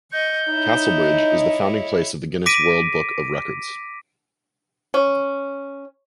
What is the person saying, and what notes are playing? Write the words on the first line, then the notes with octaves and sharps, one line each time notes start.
Castlebridge is the founding place of the Guinness World Book of Records.
D#5 C#6 G6
D#4 E4 C#5 D#5
D6 A#6 B6 D7 D#7
C#4